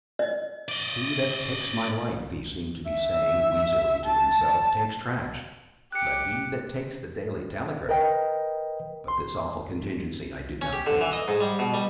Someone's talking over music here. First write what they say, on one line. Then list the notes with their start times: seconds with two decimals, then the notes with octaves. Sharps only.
"He that takes my life," he seemed to be saying, wheezily, to himself, "takes trash: But he that takes the Daily Telegraph--!" But this awful contingency I did not face.
0.19 D#5
0.68 D5 D#5
2.88 E5
4.05 A5
5.92 G4 D6 F#6 C#7
7.89 A#4 B4 D#5 G5
9.08 C6
10.61 C#4
10.73 G4
10.86 D3
11.01 E3
11.13 D#5
11.28 G#2
11.41 G3
11.59 B2
11.74 G3